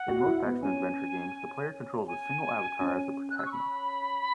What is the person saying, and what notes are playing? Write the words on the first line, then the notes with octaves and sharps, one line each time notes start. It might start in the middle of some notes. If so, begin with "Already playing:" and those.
In most action-adventure games, the player controls a single avatar as the protagonist.
Already playing: F#5
F#4
E4
B3
C#4 G#5
G#5
C#4
F#6
E6
C#6
B5